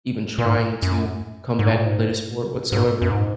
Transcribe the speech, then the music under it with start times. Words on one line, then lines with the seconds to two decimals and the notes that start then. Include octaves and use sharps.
even trying to come back to play the sport whatsoever
0.38 A#2
0.45 G#2
0.83 F#2
1.59 G#2
1.72 A#2
1.86 G#2
2.72 G#2
3.02 F#2
3.11 G#2